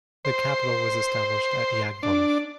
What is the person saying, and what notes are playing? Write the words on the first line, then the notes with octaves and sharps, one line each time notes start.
The capital was established at Yagbum.
C5
D4